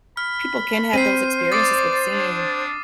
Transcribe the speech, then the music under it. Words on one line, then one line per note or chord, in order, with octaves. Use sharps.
people can have those experiences with seeing
B5 F6
C4 C5 C7 D#7
D5 D6 D#6 A6
D4